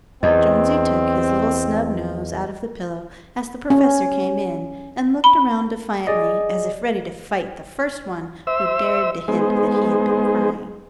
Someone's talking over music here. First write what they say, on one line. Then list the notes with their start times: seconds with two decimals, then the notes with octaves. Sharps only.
Jonesy took his little snub nose out of the pillow as the professor came in, and looked around defiantly as if ready to fight the first one who dared to hint that he had been crying.
0.23 E2 C4 D#5
3.70 C#4
5.24 B5
6.07 G#4 D5 D#5
8.47 C5 E5 E6
9.28 G#3 B3 D#4 G#4 C5